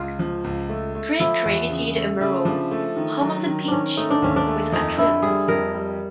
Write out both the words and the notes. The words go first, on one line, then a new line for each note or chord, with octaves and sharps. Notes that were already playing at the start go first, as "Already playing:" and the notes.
Krieg created a mural, "Home of the Peach," with acrylics.
Already playing: C#2 F4
F3
C#2
A3
A3
F3 E4
E2
C#3
A3
C#3 E4
F3 D4
A3
D#3
F#3
D#3
D#3 C#4 D4
A3 D#4
D4
D#2 C#4
D4
A3
F2 D#4
D3 E4
G3 G#4
F2 A#4
G3